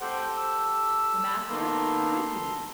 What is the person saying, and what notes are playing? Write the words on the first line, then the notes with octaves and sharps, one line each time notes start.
"The master?--who is he?"
G4 A4 C5 F#5 G5
E6
D#3 A#3 B3 A4 A#5 C6